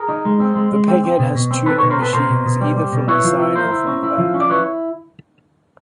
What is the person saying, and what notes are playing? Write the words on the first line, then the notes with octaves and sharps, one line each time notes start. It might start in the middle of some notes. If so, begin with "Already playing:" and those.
The peghead has tuning machines either from the side or from the back.
Already playing: G#4 A#4
D#4
G#3
C4
G#3
G#3
C4
C4
B2
B2
C4
C4 A4 B4
B2 B4 C#5
A#4 C5
C4 A4 B4
B2 A#4 C5
B2
B2
G3
G3
B2
E4 B4 C#5
F3
E4
E4 A#4 C5
E4
C#4
E4
F3
C#4
D5
E4 B4 C#5